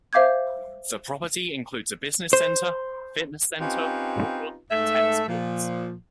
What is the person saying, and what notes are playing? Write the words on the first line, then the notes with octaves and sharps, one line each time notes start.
The property includes a business center, fitness center, pool and tennis courts.
C5 E5 F5 D6 G6 G#6
C5
C4 C#4 D#4 F4 G4 B4
G#2 A3 A4 E5
A#2 F3